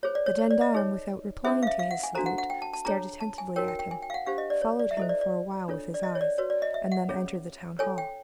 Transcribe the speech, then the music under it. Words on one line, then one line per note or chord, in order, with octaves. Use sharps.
The gendarme, without replying to his salute, stared attentively at him, followed him for a while with his eyes, and then entered the town-hall.
F4 G#4 C5 C#5
D5
C#5
C#5
D5
D#5
D#4 G#4 C#5
C#4 E4 G#4 C5 E5
F5
E5
F5
F#5
G#5
D4 F#4 A4 C5 A#5
F#5
F#5
G5
A5
A5
D4 F4 G#4 C#5 A#5
A5
G#5
D#4 F#4 A#4 C#5 G5
G5
G5
G#5
G5
F5
F#5
D4 G4 C5 F5
D#5
D5
C#5
D5
E5
E4 A4 C5 D#5
D5
D5
D4 F4 A4 C#5
D5
D#5
C#5
D5
F#4 B4 C#5
D5
D#5
E5
F#5
C#4 F4 G#4 C#5
F4 A4 C#5 G#5
G5